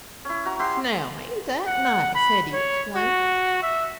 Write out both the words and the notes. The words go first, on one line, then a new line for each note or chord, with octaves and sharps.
"Now ain't that nice," Hetty exclaimed.
C#4 E4
F#4 A#5
F#4 G4 E5 C6
F#5
B5
C#5
F#4
E5